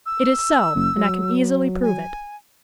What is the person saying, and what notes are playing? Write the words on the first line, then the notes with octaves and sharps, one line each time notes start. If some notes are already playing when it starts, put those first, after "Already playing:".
It is so, and I can easily prove it.
E6
F#1
F#3
G#5